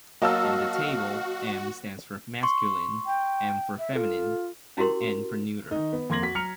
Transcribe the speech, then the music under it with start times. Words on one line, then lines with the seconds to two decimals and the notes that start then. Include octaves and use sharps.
In the table, "m." stands for masculine, "f." for feminine, and "n." for neuter.
0.22 F#3 A#3 F#4 D#5 F5 A5 E6
2.43 C6 C#6
3.06 G5
3.79 E5
3.95 F4 A4
4.77 C#4 E4 F#4 G4 A#4 C6
5.71 D#3 D#4
5.93 B3
6.10 F2 A#3 C6 G#6 A#6 F#7
6.22 F#4 B6
6.35 F#3 A#5 F6 C#7 F7